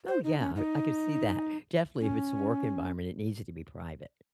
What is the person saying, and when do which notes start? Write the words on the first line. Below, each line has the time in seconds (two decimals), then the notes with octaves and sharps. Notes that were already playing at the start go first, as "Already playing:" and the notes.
Oh, yeah, er, I could see that. Definitely, if it's a work environment, it needs it to be private.
0.08 C5
0.24 D#4
0.39 C#4
0.56 D#4
2.00 C#4